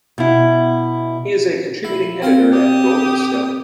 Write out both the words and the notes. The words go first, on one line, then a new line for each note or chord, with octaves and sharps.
He is a contributing editor at "Rolling Stone".
B2 E4
E4
C4 F5 C6
G4 D#6